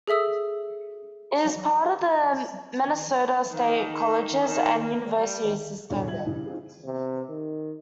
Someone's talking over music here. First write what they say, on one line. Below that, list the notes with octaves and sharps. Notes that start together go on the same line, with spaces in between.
It was part of the Minnesota State Colleges and Universities System.
G#4 A4 E5 D#6 E6
D#3
D#3
A#3
G3
E1 D2 A2 D3 C#5 G#5
F3 E5 G#6 F#7
G2 C#3 E3
C4 D#4 F4 G#4
C3
D#3